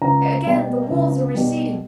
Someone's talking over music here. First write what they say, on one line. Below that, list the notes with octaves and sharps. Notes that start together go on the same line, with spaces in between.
Again the walls are receding....
C#2 A#5
B2 G3
C#2
B2 G3